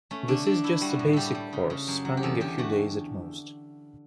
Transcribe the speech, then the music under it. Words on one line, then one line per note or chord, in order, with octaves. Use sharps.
This is just a basic course spanning a few days at most.
A3 C#4
D3 D4
D3 D4
A3 E4
G3 F#4
A2
G3 G4 A4
G3
C#3
C#3
F#2
F#3
G4
E2 A4
D3 G4
A3 F#4